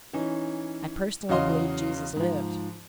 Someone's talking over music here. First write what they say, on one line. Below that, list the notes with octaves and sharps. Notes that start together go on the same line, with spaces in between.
I personally believe Jesus lived.
E3 C#4 D#4
E2 C#3 F#3 D#5 F5 C6
G#2 F3